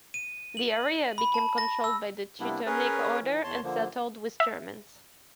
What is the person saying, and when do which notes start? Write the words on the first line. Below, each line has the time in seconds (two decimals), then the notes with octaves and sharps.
The area became controlled by the Teutonic Order and settled with Germans.
0.14 D#7
0.57 F#7
1.18 B5
1.34 A5
1.58 A#6
1.84 E6
2.40 C3 G3 A#3 B3 D4 E4
2.66 C#4 G#4 A#4 B4 C#5
3.22 E3
3.44 E2 C#5 A5 C6
3.63 D3 F3 A#3
4.40 E5